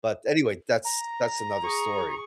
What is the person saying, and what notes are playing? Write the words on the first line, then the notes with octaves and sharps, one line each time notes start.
But, anyway, that's that's another story.
A#5
G#4 C#6